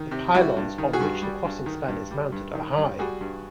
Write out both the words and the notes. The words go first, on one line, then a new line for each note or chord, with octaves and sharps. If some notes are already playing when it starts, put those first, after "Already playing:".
The pylons on which the crossing span is mounted are high.
Already playing: D#3
C3
G3 E4 F#4
G2
D#3
F#4 G#4
G2
G3
G2
D#3
G2
G3
G2
D#3
G2
G3 F#4 G#4
G2